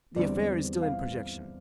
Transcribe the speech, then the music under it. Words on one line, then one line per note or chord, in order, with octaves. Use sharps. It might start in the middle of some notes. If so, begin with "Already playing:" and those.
"The affair is still in projection."
E2 D3 G3 C4 D5
F5